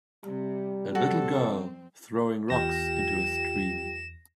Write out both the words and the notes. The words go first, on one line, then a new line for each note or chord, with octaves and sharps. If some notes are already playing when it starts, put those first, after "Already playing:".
A little girl throwing rocks into a stream.
C3 G3
F2 C4 F#4 A4
E2 F4 G4 G5 A#6 E7